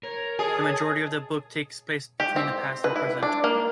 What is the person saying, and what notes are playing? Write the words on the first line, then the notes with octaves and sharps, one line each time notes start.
The majority of the book takes place between the past and present.
A#4 C#5
G#4 A4 D#5 G#5
G4
C4
B4
E4
D4
A#3